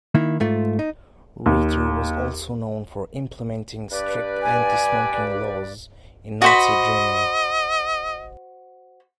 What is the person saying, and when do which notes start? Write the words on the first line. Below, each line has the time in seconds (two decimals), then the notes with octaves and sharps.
Reiter was also known for implementing strict anti-smoking laws in Nazi Germany.
0.15 D#3 A#3 E4
0.40 G#2 A3 F4
0.79 D#4
1.46 D#2
3.92 G2 B4 D5
4.42 G#5
6.42 F#4 C5 D#5 B5